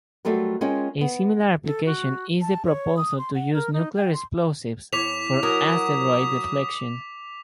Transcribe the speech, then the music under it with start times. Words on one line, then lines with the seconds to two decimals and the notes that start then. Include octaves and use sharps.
A similar application is the proposal to use nuclear explosives for asteroid deflection.
0.25 F#3 G3 A3 F4 A#4
0.61 G#3 C#4 F4 G#4 A#4 G5
1.01 B3
1.65 A4
1.86 F#4
2.41 A5
2.65 C#5
2.97 D#6
3.18 C6
3.35 F#5
3.54 A#4
3.73 D#4
3.96 G5
4.14 C6
4.93 E2 C#5 D6 B6 F7
5.43 F#3 A#4 D#6